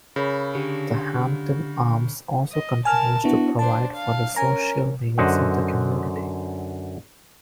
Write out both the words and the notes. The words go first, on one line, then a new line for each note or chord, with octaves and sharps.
The Hampton Arms also continues to provide for the social needs of the community.
C#3 A#4 C#5 B5
D3 G4
D#5
A#4 G#5 A5 F6
B3 D4 E4 F#4
D4 C5 A5
F5
C#4 A#4 G#5 A#5
F#2 D3 C5 D#5 F#5